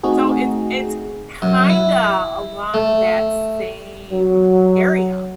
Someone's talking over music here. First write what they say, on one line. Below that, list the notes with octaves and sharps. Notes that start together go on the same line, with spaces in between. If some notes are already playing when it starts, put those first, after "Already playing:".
so it's it's kinda along that same area,
A3 C4 D#4 F#4 G#4
F#2
E4
A3
F#3